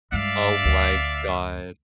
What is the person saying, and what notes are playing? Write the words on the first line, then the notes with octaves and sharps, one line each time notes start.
Oh my god.
G2 G#3 D5 E5 F5
D2